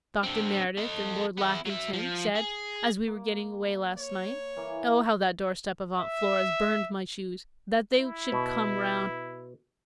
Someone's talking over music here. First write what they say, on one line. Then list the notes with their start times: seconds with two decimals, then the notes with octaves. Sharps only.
Dr. Meredith and Lord Lackington said, as we were getting away last night--oh, how that doorstep of Aunt Flora's burned my shoes!--that they should come round.
0.23 D3 C4
0.77 A4 D#5
1.37 B3 E4
1.65 F#3 E5
1.93 F3
2.35 G#4
3.07 A#3
3.98 C#5
4.57 E3 A#3
5.98 E5
7.99 E4
8.32 B2